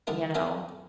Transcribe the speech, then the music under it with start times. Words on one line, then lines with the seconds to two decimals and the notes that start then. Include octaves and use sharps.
You know?
0.07 D3 G3 D4 D#4 A#4
0.35 F#3 C#4 D#4 A#4 E5 G#5